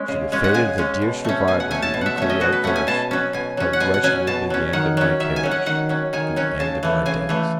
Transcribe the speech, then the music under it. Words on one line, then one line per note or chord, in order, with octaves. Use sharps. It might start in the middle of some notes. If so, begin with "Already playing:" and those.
Should the fate of the dear survivor be equally adverse, how wretched will be the end of my cares-the end of my days!
Already playing: G#3 C#4
C#3
G#3 C#4
F#5
C#3 G#5
G#3 C#4
B2
A3 C#4
B2 G#5
F#5
A3 C#4 G#5
A5
B2
E5 F#5
A3 C#4 E5
D#5
B2 F#4
B4
A3 C#4 F#5
G#5
B2 A5
F#3 C#4
B2 G#5
F#3 C#4
F#5
B2 G#5
F#5
F#3 C#4 G#5
B2 A5
F#3 C#4
D#3 F#5
F#3 C#4
D#3 E5
G#5
F#3 C#4
F#5
D#3 F#5
F#3 C#4
D#3 G#5
F#3 C#4
C#3 A5
E3 A3
C#3 G#5
E3 A3